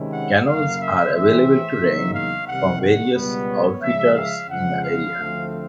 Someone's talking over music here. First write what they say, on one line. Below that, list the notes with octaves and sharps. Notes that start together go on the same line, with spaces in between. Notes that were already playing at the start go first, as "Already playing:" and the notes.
Canoes are available to rent from various outfitters in the area.
Already playing: C3 D#3 G#3 C#4 E4
F#5
F#2 C#3 F#3 A#3 F5
E5
A2 E3 A3 C4 E5
E2 C#3 F#3 A#3 D#4
F5
C2 C3 D#3 G3 F#5
F#5
C#2 B2 G3 B3
C#5
C#3 F3 G#3 E5
F5
F2 C#3 F3 G#3 F#5
F5
D2 D3 F3 A3 C4